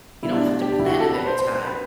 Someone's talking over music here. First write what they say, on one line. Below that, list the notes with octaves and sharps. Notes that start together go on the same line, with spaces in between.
you don't have to plant 'em every time.
B2 G3 E4
D4
G4
D4
E4
F#4
G4
A4
B4
C5
C5
C5
B4